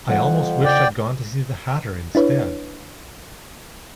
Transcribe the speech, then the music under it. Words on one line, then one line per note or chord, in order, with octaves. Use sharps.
I almost wish I’d gone to see the Hatter instead!
F2 E3 G3 C4 F#5
C#3 D5 G5
D4 E4 B4 C#5